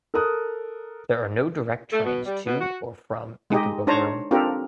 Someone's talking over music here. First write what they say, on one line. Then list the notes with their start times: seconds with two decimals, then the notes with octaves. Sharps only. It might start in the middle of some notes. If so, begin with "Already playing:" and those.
There are no direct trains to or from Ikebukuro.
0.14 A4 A#4 D#6 F#6
1.92 A3
2.04 B2
2.26 G3
2.45 B2
2.59 F#4
3.50 G#3 D#4 G4 D#5
3.87 D4 D#4 C5 C#5 A5 A#5
4.31 C4 D4 F4 G4 A4 A#4